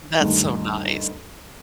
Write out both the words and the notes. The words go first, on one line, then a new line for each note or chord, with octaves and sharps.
That's so nice.
D2 G2 D#3